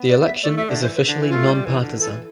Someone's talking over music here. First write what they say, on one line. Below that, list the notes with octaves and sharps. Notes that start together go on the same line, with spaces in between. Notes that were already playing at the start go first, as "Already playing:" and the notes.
The election is officially nonpartisan.
Already playing: B3
D5
E5
A3 D5
A3 E5
D3 D5
E3 C5
B4
D3
E3
F4
A3
G3
E3
D3
E3 A4